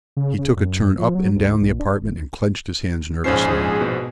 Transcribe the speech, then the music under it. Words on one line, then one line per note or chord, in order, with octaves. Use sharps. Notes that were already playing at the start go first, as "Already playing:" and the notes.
He took a turn up and down the apartment and clenched his hands nervously.
C#3
C#3
F#2
F3
F#3
D2
A#1
D4
E1
A#1 G#2 F3 C#4 G#4 C5 C7
B2